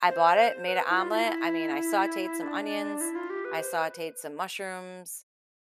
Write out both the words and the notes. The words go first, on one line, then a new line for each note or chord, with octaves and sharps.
I bought it, made an omelet. I mean, I sautéed some onions, I sautéed some mushrooms,
C5
B4
E4
F4
E4
E4
D4
E4
F4
G4
B4
C5
B4